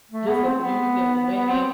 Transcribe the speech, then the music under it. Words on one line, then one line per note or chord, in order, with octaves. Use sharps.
Just abusing women,
A3
B3
C4
B3
B3
C4